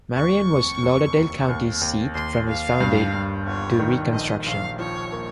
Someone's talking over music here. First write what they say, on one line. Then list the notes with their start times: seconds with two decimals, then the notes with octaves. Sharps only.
Marion was Lauderdale County's seat from its founding to Reconstruction.
0.16 D#2 C#6
0.49 F1
0.83 F1
1.15 D#2
1.48 D#2
1.81 D#2
2.15 D#2 C6
2.47 D#2 F5
2.80 G2
3.14 G2
3.47 G1 C#5
3.79 D#3
4.13 A#1 D#5
4.46 A#1 F5
4.79 F3 C#5
5.12 A#3